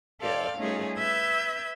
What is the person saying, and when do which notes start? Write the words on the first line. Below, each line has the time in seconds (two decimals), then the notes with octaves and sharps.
Yeah, absolutely.
0.20 A4 D5 F5 G5 C6
0.57 G3 A3 C#4 D#4 F4 G#4
0.97 B4 E5 E6 G6 G#6